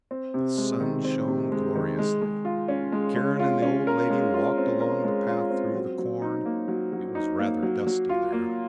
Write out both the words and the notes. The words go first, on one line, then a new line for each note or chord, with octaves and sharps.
The sun shone gloriously; Karen and the old lady walked along the path through the corn; it was rather dusty there.
C4
C3
G#3
D#3
C4
C3
G#3
D#3
G#3
G#3
F4
C#4
G#3
G#3
F4
C#4
A#4
G#3
F4
C4
A#4
G#3
F4
C4
F#3
F#3
D#4
A#3
F#3
F#3
D#4
A#3
F#3
F#3
F4
A#3